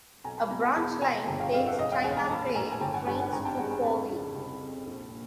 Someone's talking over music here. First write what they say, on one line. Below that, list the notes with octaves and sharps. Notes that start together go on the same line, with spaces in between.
A branch line takes china clay trains to Fowey.
B1 G#5 A#5
A5 B5
B2 G#5 A#5
A5 B5
E2 A5 B5
B2 G#5 A#5
G1 G5 A5
F5 G5
F2 F5 G5
E5 F#5
E1 D#5 F5
F5 G5
E2 F#5 G#5
G#5 A#5
A#1 A5 B5
A2 G#5 A#5
G#5
G1 G5 A5
F#5 G#5
G2 F#5 G#5
A5
F#5 G#5
G#1 G#5 A#5
G5 A5
G#2 F#5 G#5
G#5 A#5
F2 A5 B5
C#3
C2
C3
A#1
A#2